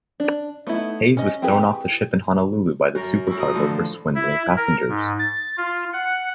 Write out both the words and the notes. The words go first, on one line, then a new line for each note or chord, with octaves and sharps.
Hayes was thrown off the ship in Honolulu by the supercargo for swindling passengers.
D4
A3 B3 D#4 E4
C#4 D#5
C4 E4 G4 G#4 B4
F#2 A#4
F#2 E4
A#4 D#6
A2 D3 E3 F3
E4
A#4
G#2
A6
F4
F#5